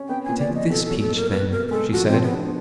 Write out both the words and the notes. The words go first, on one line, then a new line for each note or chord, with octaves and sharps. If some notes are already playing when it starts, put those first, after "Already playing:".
"Take this peach, then," she said.
Already playing: C#4
B3 G5
A#2 G#5
D5
F3
D#5
B2 A4
A4
F#3
A4
A#3
A#4
B2 B4
B2 A#4
A#4
G#3 A4
F3 F#4
F3 C4
B3
D4